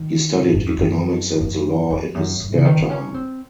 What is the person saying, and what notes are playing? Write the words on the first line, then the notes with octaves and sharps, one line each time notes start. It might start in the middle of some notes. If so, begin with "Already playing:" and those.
He studied economics and the law in his spare time.
Already playing: D#3
A2
F#2
F2
F#2
F#2
F2
F#2
F#2
C#3
D#3
C4
C#4
C4